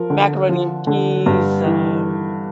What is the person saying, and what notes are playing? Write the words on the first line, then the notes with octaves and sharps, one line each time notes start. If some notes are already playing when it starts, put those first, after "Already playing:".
Macaroni and cheese, um
Already playing: F3 A#4
D3
F3
D3
G2
E3